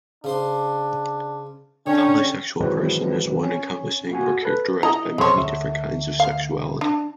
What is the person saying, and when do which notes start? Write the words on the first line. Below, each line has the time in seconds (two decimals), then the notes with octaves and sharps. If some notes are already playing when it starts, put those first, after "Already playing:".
A polysexual person is one encompassing or characterized by many different kinds of sexuality.
0.24 C#3 D4 C5 C6
1.86 D3 C#4 D4 C#5 G5
2.60 D#3 E3 F#3 G#3 C4 B4
3.43 C#4
4.11 A#3 F#4 G#5
4.43 A4 B4
4.83 E4 D#5 A#5
5.18 B1 F2 G#3 C5 C#5
5.37 D2 E5
6.20 F5
6.81 D4